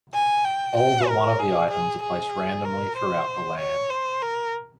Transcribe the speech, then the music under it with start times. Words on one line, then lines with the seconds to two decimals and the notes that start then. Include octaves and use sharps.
All but one of the items are placed randomly throughout the land.
0.14 G#5
0.45 G5
0.77 G5
1.08 A#4
1.39 G#4
1.70 G#4
2.03 G#4
2.65 A#4
2.97 C5
3.58 C#5
3.90 C5
4.22 A#4